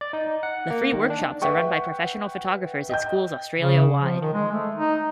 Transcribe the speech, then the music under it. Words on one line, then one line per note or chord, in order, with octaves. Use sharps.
The free workshops are run by professional photographers at schools Australia wide.
D5
D#4
F#5
A#3
D#3
D4
B4 E5 F#5 G5 C#6
D#5 G5 G6
C#3
F3
D#3
G#3
A3
D#4